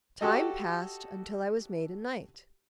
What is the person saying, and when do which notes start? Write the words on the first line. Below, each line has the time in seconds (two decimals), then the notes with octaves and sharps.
Time passed until I was made a knight.
0.21 F#4 G4 A4 D#5